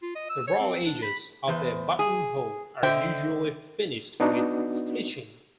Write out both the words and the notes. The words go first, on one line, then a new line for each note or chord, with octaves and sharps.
The raw edges of a buttonhole are usually finished with stitching.
F4
D#5
E6
C#5
C4
D4
B5
E2 B4 C5
G#4
D3 C5 D#5 E5 G5
B3 D4 D#4 F#4